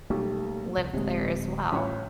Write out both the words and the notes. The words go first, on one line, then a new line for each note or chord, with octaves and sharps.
lived there as well.
B1 G3 A3 A#3
C2
D1 C3 G#3
A1 F3 C#5